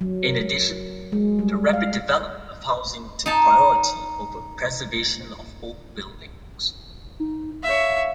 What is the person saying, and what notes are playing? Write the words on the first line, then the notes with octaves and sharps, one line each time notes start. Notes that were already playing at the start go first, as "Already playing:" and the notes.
In addition, the rapid development of housing took priority over preservation of old buildings.
F#3
A#4
G#3
G3
F5
D#4 A5
D#4
C#5 E5 F5